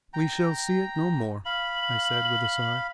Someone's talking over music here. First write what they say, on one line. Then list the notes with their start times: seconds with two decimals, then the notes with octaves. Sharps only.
"We shall see it no more," I said, with a sigh.
0.13 G5 A#5
1.46 F5 B5 F#7